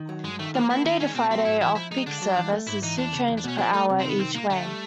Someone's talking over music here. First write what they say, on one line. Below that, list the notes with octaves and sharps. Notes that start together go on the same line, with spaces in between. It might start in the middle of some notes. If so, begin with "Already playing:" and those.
The Monday to Friday off-peak service is two trains per hour each way.
Already playing: D#3
F#3
G2 G#3
D#3 A3
F3 A#3
A#3 E4
D#3 D#4
G#3 C#4
B2 C4
F#3 C4
G#2 E4
E3 E4
F3 E4
G#3 D#4
D3 D4
F#3
E3
A3
G#2 E4
E3 D#4
E2 D4
C#3
E2
D4
B2 C#4
F3 D4
A3 D#4
C3
C4
D#3 B3
C2 C4
A#2 A#3
D3 A3
G3